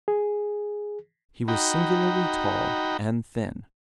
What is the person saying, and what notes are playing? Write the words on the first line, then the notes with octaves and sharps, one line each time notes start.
He was singularly tall and thin.
G#4
D#4 F#4 G5 A#5 B5